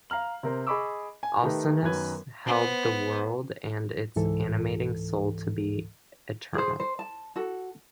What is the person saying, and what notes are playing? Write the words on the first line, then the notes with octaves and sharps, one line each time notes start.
Alcinous held the world and its animating soul to be eternal.
F5 A#5 F6 F#7
C3 A#4 C5
G#4 D#5 B5 C#6 D6 E6
G#5
D#3 A3 D#4 G4 B4
F#2 D#3 F#3 B3 B4 G#6
B3 C5
C#2 G#2 E3 A4
G#4 C5
C5
A5
F#4 A4